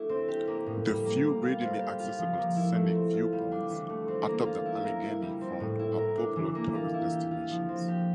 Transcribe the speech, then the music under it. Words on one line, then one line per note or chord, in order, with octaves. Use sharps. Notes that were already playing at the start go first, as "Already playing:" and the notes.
The few readily accessible scenic viewpoints atop the Allegheny Front are popular tourist destinations.
Already playing: A3 D4 E4
C4
G4
A#3
A2
G3
A#3
A#3
F4
C4
G4
F4
F3
A#3
E4
A3
C4
F4
G3
D4
E3
A3
C4
A#3
F4
E4
A#4
E4
G3
C4
A2
E4
A#4
D4
E3
A#3
F4
E4
G4
F4
F3
C4
G4